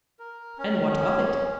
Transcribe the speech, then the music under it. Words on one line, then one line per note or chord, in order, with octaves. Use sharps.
"And what of it?"
A#4
C#4